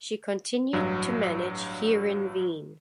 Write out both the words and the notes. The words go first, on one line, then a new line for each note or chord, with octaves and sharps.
She continued to manage Heerenveen.
A1 G2 F#3